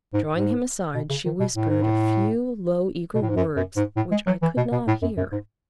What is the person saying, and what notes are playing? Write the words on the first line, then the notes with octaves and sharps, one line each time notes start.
Drawing him aside, she whispered a few low eager words which I could not hear.
G#2
G#2
B2
C#3
D#3
B2
A2
G#2
A2
B2
A2
G#2
F#2
F#2
G#2
A2
G#3
F#3
E3
B2
B2
A2
F#2
F#2
G#2